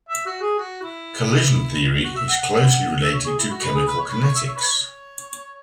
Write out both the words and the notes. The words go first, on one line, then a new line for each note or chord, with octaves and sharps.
Collision theory is closely related to chemical kinetics.
E5
F#4
G#4
F#4
E4
F#4
E5
F#5
F#5
E5
C#5
G#4
E4
F#4
B4
G#4
B4
C#5
B4
C#5
E5
C#5
B4
C#5